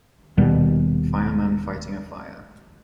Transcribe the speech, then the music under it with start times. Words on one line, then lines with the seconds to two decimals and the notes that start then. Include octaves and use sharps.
Fireman fighting a fire.
0.38 D#1 D#2 B2 G3